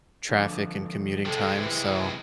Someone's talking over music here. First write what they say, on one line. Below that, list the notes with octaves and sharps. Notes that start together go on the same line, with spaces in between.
traffic and commuting time, so
D3 F3 D4
C3 G#3 A4
E4 B4